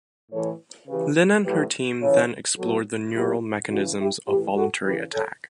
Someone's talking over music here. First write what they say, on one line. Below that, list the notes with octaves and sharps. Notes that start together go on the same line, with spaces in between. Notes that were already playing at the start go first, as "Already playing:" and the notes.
Lin and her team then explored the neural mechanisms of voluntary attack.
A2 E3 A4 C#5
C#3 E3 G4 B4
A2 F#3 G4 B4
C#3 E3 A4 C#5
B2 F#3 F#4 A4
B2 F#3 E4 G4
C#3 E3 D4 F#4
E4 G4
A2 E3 E4 G4
F#4 A4
C#3 E3 G4 B4
A4 C#5